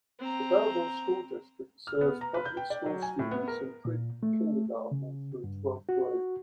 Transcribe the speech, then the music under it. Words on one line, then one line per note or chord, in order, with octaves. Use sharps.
The Belleville School District serves public school students in pre-kindergarten through twelfth grade.
C4 A#5
F6
B3
A#5
B4
G6
G5
D5
F#3
G#5
A2
B3
A#4
A#2
A3
C#3
G2
F#4